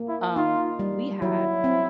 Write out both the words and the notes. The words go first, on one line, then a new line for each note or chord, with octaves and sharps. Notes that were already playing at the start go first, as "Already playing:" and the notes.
um, we had
Already playing: A#3
E4
D#4 F4
G3
F#3 E4
C4